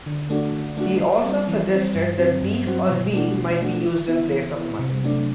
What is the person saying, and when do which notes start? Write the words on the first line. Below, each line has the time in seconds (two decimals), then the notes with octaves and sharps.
He also suggested that beef or veal might be used in place of mutton.
0.06 D3
0.30 A3 D4 F#4
0.53 D3
0.77 A3 D4 F#4
1.00 E3
1.24 G3 C4
1.48 E3
1.71 G3 C4
1.95 G2
2.19 F#3 C4 F#4
2.42 G2
2.66 F#3 C4 F#4
2.90 B2
3.13 A3 D4 F#4
3.37 B2
3.61 A3 D4 F#4
3.85 E3
4.08 B3 E4
4.31 E3
4.55 B3 E4
4.79 C3
5.03 F#3 A3 D4